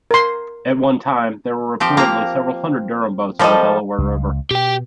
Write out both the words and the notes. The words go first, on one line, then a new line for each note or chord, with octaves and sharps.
At one time, there were reportedly several hundred Durham boats on the Delaware River.
A#4 C6
F3 C4 G4
A#3 F4 G4 A#5
F3 G3 A#3 F4 A4 D#5
C#2
B2 G4 G5